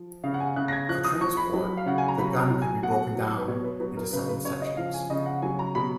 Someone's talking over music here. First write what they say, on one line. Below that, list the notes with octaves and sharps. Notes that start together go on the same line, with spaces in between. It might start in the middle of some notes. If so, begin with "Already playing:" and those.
For transport, the gun could be broken down into seven sections.
Already playing: F3
C#3 F5
F#5
G#5
C#3 F#6
A#6
G#6
F3 F#6
D#6
F3 C#6
B5
F#3
F5
C#3 F#5
G#5
A#5
F#3 B5
A#5
F#3
G#5
B2 F#5
F#3
B4
B2 C#5
B4
F#3 B4
A#4
C#3 B4
B4
C#3 C#5
D#5
F3 F5
G#5
C#3 D#5
F#5
F#3 G#5
A#5
B2 B5